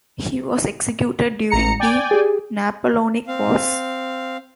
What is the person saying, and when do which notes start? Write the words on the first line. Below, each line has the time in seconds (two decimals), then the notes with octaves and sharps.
He was executed during the Napoleonic Wars.
1.50 A1 A#5 C#7
1.80 D5 G5 G#5
2.11 G4 G#4
3.27 C4 F5